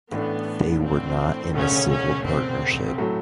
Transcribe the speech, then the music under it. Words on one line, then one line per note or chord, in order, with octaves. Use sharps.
They were not in a civil partnership.
A1 A2 E3 A3 B3 D4
C4
E1 D2 C#3 C#4
C#4
C4
A2 F#3 A3